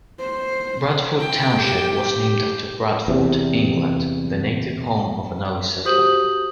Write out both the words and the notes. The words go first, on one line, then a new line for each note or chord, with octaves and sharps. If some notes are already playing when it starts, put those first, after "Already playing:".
Bradford Township was named after Bradford, England, the native home of an early settler.
C5
G5
G4
E2 C3
F#4 G4 C5 D#6 G6 F#7